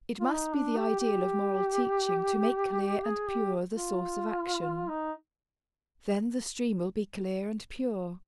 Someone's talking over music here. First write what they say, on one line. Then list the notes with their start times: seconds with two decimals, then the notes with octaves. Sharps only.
It must be the ideal of moral teaching to make clear and pure the source of action. Then the stream will be clear and pure.
0.20 F4
0.31 D#4
0.54 D4
0.77 G4
1.00 G4
3.06 G#4
3.28 G4
3.74 F4
4.88 D#4